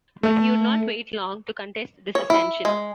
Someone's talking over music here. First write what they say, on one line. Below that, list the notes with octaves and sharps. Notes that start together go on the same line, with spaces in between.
But he would not wait long to contest this ascension.
A3
C#5
E4
G#3